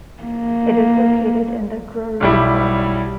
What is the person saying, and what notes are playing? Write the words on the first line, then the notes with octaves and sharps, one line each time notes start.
It is located in the Grorud borough.
A#3
B1 G3 E4